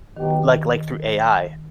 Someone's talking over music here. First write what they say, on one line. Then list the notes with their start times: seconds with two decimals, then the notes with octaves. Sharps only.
Like like, through AI.
0.16 B2 D#3 F#3 B3 D#4 G4